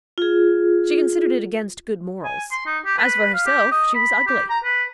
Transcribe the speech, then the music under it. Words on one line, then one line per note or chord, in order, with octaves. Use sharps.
She considered it against good morals. As for herself, she was ugly.
F4 G#4
G#5
C6
D#4
G4
B4
F5
G4
D#5
B5
G4
A#5
B4